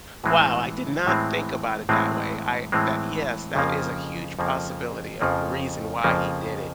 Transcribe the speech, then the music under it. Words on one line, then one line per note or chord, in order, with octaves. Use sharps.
Wow, I did not think about it that way. I that yes, that is a huge possibility a reason why he did it.
A2 E3 G#3 C4
A2 E3 G#3 C4
A2 E3 G#3 C4
A2 E3 G#3 C4
F2 C#3 F3 A#3
F2 C#3 F3 A#3
F2 C#3 F3 A#3
F2 C#3 F3 A#3